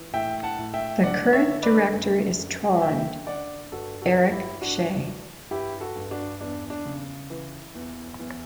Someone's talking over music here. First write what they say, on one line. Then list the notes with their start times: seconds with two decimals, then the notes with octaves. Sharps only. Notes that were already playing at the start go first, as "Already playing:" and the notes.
The current director is Trond Eirik Schea.
Already playing: E3
0.13 A2 E5 G5
0.43 F#5 A5
0.59 A2
0.74 E5 G5
1.03 D3 D5 F#5
1.33 C#5 E5
1.48 D3
1.63 B4 D5
1.93 F#2
2.38 F#2
2.82 D3 E5 G5
3.27 D3 D5 F#5
3.72 G2 F#4 A4
4.02 F#4 A4
4.17 G2
4.32 E4 G4
4.61 E3 D4 F#4
5.06 E3
5.51 G2 E4 G4
5.81 F#4 A4
5.96 G2
6.11 D4 F#4
6.41 E2 D4
6.70 D4
6.86 C#3
7.30 E3
7.75 E2
8.19 E2